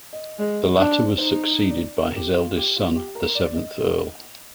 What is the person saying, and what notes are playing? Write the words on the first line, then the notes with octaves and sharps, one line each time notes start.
The latter was succeeded by his eldest son, the seventh Earl.
D#5
G#3 D#5
D4 D5
D#4 C5
D5
A#4
G4
F4
G4
F4
G4
A#4
D5
D#5